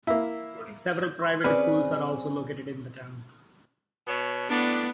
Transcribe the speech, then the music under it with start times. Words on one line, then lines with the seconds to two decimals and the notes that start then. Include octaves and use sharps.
Several private schools are also located in the town.
0.07 A#3 E4
1.44 C4 C#4 G#4 B4 D5
4.07 B2 B3 C#5
4.50 A2 B3 D4